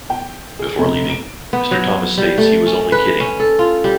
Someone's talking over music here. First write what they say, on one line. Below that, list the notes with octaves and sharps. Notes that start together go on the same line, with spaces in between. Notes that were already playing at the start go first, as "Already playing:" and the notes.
Before leaving, Mr. Thomas states He was only kidding.
G5
G#4
F1
D7
B3
F#3
G3
A3
C#4
B4
C#4
A4
F4
G3